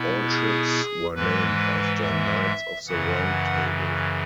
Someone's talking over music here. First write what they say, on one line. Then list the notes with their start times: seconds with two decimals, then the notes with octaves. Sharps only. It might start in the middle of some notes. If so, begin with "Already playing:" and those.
All ships were named after Knights of the Round Table.
Already playing: B2 B3 E4
0.30 G#4
1.15 G#2 E3 G#3 B4
2.01 E5
2.87 F#2 C#3 E3 F#5